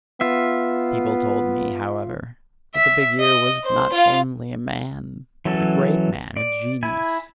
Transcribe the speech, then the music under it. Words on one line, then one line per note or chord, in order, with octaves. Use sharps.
The people told me, however, that the big ear was not only a man, but a great man, a genius.
B3 F4 E5
E5
D#5
C5
F4 F5
E3 F#3 C#4 A4
D5
E4 G#5